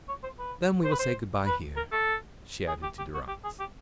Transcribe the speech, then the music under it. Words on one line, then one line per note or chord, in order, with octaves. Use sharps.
"Then we will say good-bye here," she added to Durrance.
C#5
C5
B4
C5
B4
C5
B4
A#4
A4
G#4
G4
G4
F#4
G4
G#4
G4